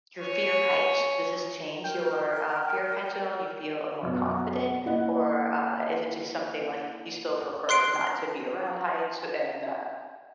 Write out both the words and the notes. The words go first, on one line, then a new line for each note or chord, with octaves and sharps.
your fear of heights. Does this change your uh, fear of heights at all? Do you feel a more confident or uh, is it just something like you still prefer not to be around heights and, uh
C#5 G#5
A#4 G5
F#2 B2
A#3 E4 D5 D#5 F#5
C6 F#6 C7 D7